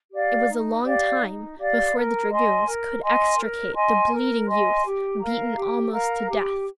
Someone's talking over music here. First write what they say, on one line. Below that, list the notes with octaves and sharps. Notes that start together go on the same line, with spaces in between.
It was a long time before the dragoons could extricate the bleeding youth, beaten almost to death.
G4 D5 F5
D#4
G4 D5 F5
D#4
G4 D5 F5
A#4
D#5 G#5 C6
A#4
D#5 G#5 C6
A#4
D#5 G#5 C6
A#4
D#5 G#5 C6
G4
A#4 F5 A#5
G4
A#4 F5 A#5
G4